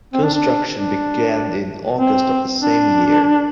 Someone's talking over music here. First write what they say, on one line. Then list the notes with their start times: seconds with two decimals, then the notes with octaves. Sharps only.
Construction began in August of the same year.
0.14 C4
0.24 D4
0.34 D4
0.75 D4
2.00 C4
2.62 D4